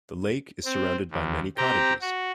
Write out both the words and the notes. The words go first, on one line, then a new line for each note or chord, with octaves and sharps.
The lake is surrounded by many cottages.
C4
D#2
C4 G4 G5 A#5
F#4